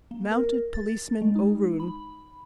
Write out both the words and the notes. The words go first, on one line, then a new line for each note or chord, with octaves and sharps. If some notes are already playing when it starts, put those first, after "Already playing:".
Mounted Policeman O'Roon.
A#3
A#4
A6
G#3
D#4
B5